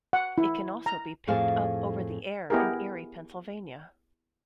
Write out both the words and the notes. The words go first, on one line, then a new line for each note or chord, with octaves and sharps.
It can also be picked up over-the-air in Erie, Pennsylvania.
F#5
E4
A#5
F2 A2 G#4 A4 C5 F5
B3 E4 G4 G#4 A#4